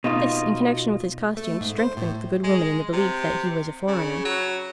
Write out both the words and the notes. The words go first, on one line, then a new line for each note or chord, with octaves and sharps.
This, in connection with his costume, strengthened the good woman in the belief that he was a foreigner.
B2 D#4 F4
A3
G#2
C5
A2
G#3
C3
C#3
F#3